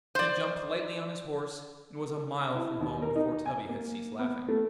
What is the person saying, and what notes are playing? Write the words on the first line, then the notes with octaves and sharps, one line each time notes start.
He jumped lightly on his horse, and was a mile from home before Tubby had ceased laughing.
C5 D5
E4
D#2
A#4
D#4
G#5
A#3
B3
A3